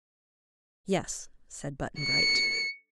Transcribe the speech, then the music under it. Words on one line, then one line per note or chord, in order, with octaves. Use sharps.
"Yes," said Button-Bright.
C#7